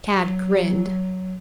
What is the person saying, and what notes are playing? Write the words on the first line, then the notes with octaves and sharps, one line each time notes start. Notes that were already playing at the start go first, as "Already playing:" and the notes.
Tad grinned.
F#3